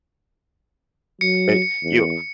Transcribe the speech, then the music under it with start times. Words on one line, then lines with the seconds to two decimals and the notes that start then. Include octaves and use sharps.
eh you
1.21 F#3 C#7
1.83 E2